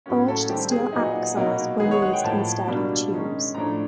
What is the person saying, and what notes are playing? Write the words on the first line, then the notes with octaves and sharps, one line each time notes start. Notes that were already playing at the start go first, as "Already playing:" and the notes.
Forged steel axles were used instead of tubes.
A2 F#3 A#3 C#4
A4
D#3 G3 C4 G4
G#4
A#2 F#3 B3 D#4
B2 F#3 A#3 D#4
D#3 G#3 B3 G#4
C#5
F#5
G5
A2 F3 A#3 A5
B2 G3 A#3 D4
D#3 G#3 C#4
A2 F3 A3 D4 A#5